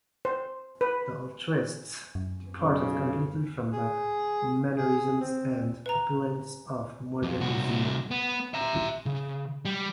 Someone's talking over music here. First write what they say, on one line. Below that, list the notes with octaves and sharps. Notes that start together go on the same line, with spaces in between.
The Ultraists departed completely from the mannerisms and opulence of Modernismo.
C5
B4
F#2
B1 C#3
G#4
G#4
C4
B4 A#5
F2
C2 F#4
B3
E5 A#5
C#3
G3